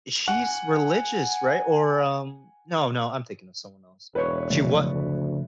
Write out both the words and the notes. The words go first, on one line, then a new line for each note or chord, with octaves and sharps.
is she's religious, right? Or, um, no no, I'm thinking of someone else. She what
F#5 G#5
E1 B4 C#5 C#6
C#3 F3 A3
D2